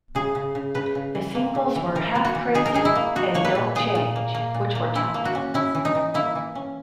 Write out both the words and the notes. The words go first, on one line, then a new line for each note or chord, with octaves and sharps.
The singles were "Halfcrazy" and "Dontchange", which were top tens.
C#3 G#4
C#3
C#3
C#3 B4
C#3
E3
A#3
C#3
E3
E3 A#4
A#3
F#4
E3
D#4 G#4
A#4
D#4 G#4
E4
A#3
D#4 F#4
A#3 C#5
B4
A#2
A#2 G#4
A#2
A#3
A#3
A#2
A#3
E3 E4
A#3
F#4
C#4
C#4 E4
E3
D#4
E3
A#3 E4
E3
C#4